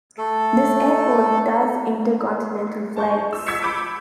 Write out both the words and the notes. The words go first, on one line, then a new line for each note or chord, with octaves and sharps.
This airport does intercontinental flights.
A3 A4
A5 C#6 G6
E6
E6 G#6 B6 C#7 E7
B5 D6 G6 D7